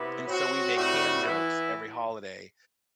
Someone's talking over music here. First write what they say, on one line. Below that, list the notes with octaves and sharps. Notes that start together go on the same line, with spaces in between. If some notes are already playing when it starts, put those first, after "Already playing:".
and so, we make ham jokes every holiday,
Already playing: C3 B3 E4
F#3 C4 F#4
A2 G3 C4 F#4
E3 B3 E4